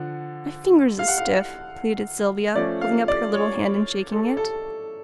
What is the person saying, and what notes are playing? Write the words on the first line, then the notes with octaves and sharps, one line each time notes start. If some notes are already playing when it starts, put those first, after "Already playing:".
'My fingers is stiff,' pleaded Sylvia, holding up her little hand and shaking it.
Already playing: D3 F3 F#5
F5
F#5
F5
F3 A3 C#4 D5
F5
D5
C#5
A4
A4